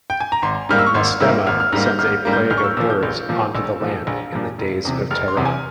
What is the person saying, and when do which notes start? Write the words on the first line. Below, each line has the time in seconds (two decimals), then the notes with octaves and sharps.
Mastema sends a plague of birds onto the land in the days of Terah.
0.10 G5
0.20 G#5
0.32 A#5
0.42 G#1 C6
0.69 G#2 G3 A#3 F6
0.78 E6
0.86 C#6
0.94 G#1 C6
1.20 G#2 G3 A#3 E6
1.47 G#1 F6
1.60 F6
1.72 G#2 G3 A#3 F6
1.86 G6
1.99 G#1 F6
2.25 G#2 G3 A#3
2.33 G6
2.50 A#1 F6
2.57 C#6
2.64 E6
2.77 A#2 F3 E6
2.90 G6
3.03 A#1
3.29 A#2 F3
3.55 A#1 E6
3.81 A#2 F3
4.07 A#1
4.32 A#2 F3
4.58 F1
4.85 E2 C3
5.11 F1 F6
5.28 C6
5.37 E2 C3
5.45 G#5